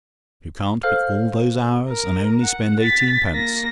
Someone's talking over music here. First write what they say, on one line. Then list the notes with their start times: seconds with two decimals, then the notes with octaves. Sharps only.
You can't be all those hours and only spend eighteenpence.
0.83 A4 C5 F5 F6
1.89 A#4
2.42 F#5
2.80 A6 B6
3.33 A#3 A#6